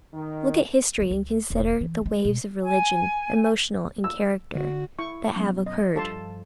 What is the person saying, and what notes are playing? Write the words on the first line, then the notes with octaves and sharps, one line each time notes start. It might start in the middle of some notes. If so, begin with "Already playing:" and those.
Look at history, and consider the waves of religion, emotional in character, that have occurred.
D#3
G3 E4
C#2
E1
E3
G#3 C4
B2
G#5
E6
D3 F#4
E4 C#6
F#2 B2
D#5
G2 F3 F4 A4 A5 C6